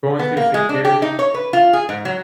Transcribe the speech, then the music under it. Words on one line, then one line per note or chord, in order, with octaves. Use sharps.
going through security,
B3
A#3
G#3
D4
G4
D#4
C#5
B4
F4
G#4
G#2
F#3